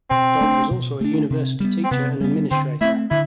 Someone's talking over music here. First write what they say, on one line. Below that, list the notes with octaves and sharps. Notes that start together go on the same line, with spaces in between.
Dodd was also a university teacher and administrator.
B2 C4
A3 D4
B2
A3 D4
C3
G3 B3
C4
C3 B3
G3 B3
D3 C4
A3 C4 E4
D3 E4